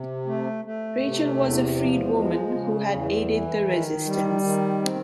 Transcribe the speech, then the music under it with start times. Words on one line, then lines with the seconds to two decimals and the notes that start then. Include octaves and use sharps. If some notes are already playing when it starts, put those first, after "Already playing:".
Rachel was a freedwoman who had aided the resistance.
Already playing: C3
0.26 A3
0.65 A3
1.03 C3
1.40 E2
1.79 F3
2.16 G#3
2.54 C#3
2.93 E2
3.31 E3
3.68 D#3
4.06 G3
4.43 D#3
4.82 C4